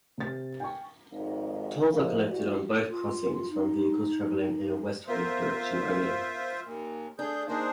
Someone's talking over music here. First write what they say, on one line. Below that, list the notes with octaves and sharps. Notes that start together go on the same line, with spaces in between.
Tolls are collected on both crossings from vehicles travelling in a westward direction only.
C3 A6
G5 G#5 C#6
G#1 F2 G#2
F3 G#3 A#3 E4 G#4
E3 G3 E4 F#4
F4
D#4
B3 F4 A#4 C5 E5
D#2 A#2
A3 D4 G#4 G6
A#3 D4 D#4 G#4 C5